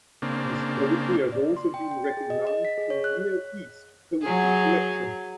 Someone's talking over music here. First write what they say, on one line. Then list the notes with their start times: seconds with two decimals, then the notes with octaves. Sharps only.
His poetry has also been recognized in Near East poetry collections.
0.22 C#3 A#3 C4 D4
1.32 D5
1.57 C6
1.74 G5
1.91 G5
2.04 A6
2.17 G#4
2.30 D#5
2.47 D#5
2.65 B6
2.78 G#4
2.90 C#5
3.04 F#6
4.22 F#3 G#4